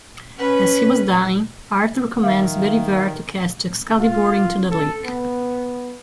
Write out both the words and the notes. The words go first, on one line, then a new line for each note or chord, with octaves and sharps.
As he was dying, Arthur commands Bedivere to cast Excalibur into the lake.
C#4 B4
D#3 E5 F5
F4
A4
B3